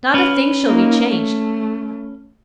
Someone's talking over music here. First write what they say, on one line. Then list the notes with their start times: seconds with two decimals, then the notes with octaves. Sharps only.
Not a thing shall be changed.
0.14 C#4 B4
0.67 A#3 D#4
1.09 A3